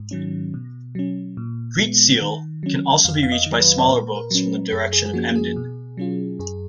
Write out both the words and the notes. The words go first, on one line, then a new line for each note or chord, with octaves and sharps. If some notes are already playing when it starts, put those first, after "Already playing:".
Greetsiel can also be reached by smaller boats from the direction of Emden.
Already playing: G#2
D#3 F#3 C#4
B2
F#3 C#4
A#2
G#3 B3
D#3
F#3 C#4
F2 F5
F5
D#5
D#3 F#3
B4
C#5
A#2 B4
A#4
F#3 C#4
F#2 G#4
G#4
G#4
F3 A#3 C#4 F#4
G#4
B2
F#3 C#4 F4
F#2 G#4